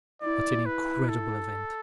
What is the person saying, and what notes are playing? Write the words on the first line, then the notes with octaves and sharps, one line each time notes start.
"What an incredible event!"
E4 D5
E4 B4
A4